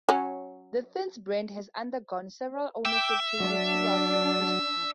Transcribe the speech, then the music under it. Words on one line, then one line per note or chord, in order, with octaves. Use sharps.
The Thins brand has undergone several ownership changes throughout its history.
F#3 C#4
E5 G5 D6 E6
F#3 D4